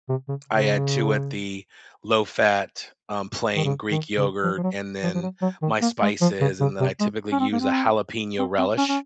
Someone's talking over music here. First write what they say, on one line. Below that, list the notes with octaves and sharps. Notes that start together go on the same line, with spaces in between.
I add to it the low-fat, um, plain Greek yogurt and then my spices, and then I typically use a jalapeño relish,
C3
C#3
C#3
D#3
C#3
D#3
C#3
F3
F3
F#3
F3
F3
F#3
F#3
D#3
A#3
G#3
F3
C#3
C#3
C3
G#3
C#4
C4
A#3
C4
C4
C4
C#4
C#4